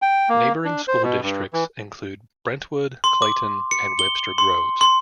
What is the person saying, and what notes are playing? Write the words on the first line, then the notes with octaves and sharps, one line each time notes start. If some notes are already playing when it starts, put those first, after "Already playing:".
Neighboring school districts include Brentwood, Clayton, and Webster Groves.
G5
A#3
D4
C5
B2
G2
E3
C6
D6
C#7
G7
C6
C6